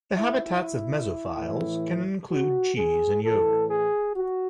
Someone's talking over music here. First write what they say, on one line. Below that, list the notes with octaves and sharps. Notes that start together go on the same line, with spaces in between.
The habitats of mesophiles can include cheese and yogurt.
E4
E4
A2 E3
F#4
G#4
A2 E3 A4
G#4
F#4